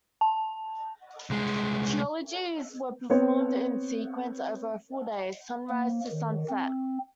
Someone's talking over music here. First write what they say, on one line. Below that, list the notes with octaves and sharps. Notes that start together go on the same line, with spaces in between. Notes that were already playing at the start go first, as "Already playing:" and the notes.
Trilogies were performed in sequence over a full day, sunrise to sunset.
A5
C2 G#3
B3 C4 C#5
A#3
D#3
C4